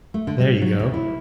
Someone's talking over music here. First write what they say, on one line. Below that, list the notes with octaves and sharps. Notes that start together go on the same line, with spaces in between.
There you go.
A3
D3
G3
F#3
D2
E4